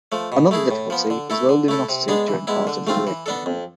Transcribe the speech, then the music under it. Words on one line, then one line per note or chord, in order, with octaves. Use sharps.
Another difficulty is the low luminosity during part of the year.
F3 A3
B2
A3 E4 G#4
A2
F3 B3
D3
A3 E4 A4
D3
A3 E4 A4
C3
G#3 B3 D4 G#4
E3
G#3 B3 E4
D3
A3 C4 F4
E3
B3 D4 A4
F2